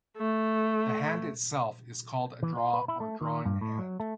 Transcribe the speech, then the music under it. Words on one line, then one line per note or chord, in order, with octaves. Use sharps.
The hand itself is called a draw or drawing hand.
A3
E3
F4
B4
E4
A3
D#3
G2
A2
F#3
A3